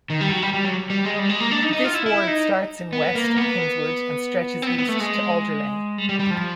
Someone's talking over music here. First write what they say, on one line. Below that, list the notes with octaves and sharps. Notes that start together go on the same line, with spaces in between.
This ward starts in west at Kingswood and stretches east to Alderley.
D#3
G3
F#3
G3
G3
F#3
G3
G#3
G3
G#3
A#3
D4
D#4
D#4
F4
E4
E4
D#4
B3
A#3
B3
C4
B3
B3
A3
G#3
G3
G3
G3
F3